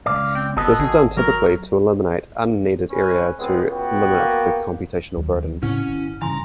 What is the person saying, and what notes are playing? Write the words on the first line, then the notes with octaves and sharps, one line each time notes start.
This is done typically to eliminate unneeded area to limit the computational burden.
C#2 G#2 D5 F5
C4 G5
G1 B3 F#4 A4 D#5
G#1 G#4
F#3 A#4
C#4 B4 G#5
C#2 G#3 B3 C4
B3 F#4 G5
A#3
D#2 F#3
A2 C#3 C4 C#4 E4
G1
G2 C#3 E3 G#5 A#5 C6